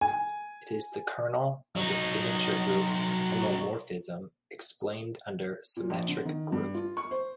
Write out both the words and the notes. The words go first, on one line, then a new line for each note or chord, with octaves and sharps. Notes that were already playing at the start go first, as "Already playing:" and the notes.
It is the kernel of the signature group homomorphism explained under symmetric group.
G#5
F#3 D#4
A#2
A#1
D3
D#3
G2
F4
C#6
C5